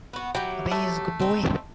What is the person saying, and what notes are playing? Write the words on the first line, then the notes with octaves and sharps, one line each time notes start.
Abhay is a good boy.
B3 F#4
F#3 E4 G4 G5
A3
C4 D#4